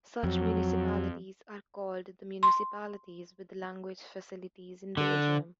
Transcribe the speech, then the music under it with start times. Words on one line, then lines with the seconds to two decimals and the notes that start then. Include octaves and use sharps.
Such municipalities are called the municipalities with language facilities in Belgium.
0.24 F2 F#3
2.43 C6
4.97 D3